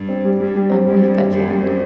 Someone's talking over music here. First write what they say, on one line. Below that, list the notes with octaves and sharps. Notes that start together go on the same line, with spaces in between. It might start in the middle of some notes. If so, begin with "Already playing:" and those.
I'm weak, I can't....
Already playing: G2
C4
G3
G2 G3
G3
C4
G2 G3
C4
G3
F#2 G3
G3
C4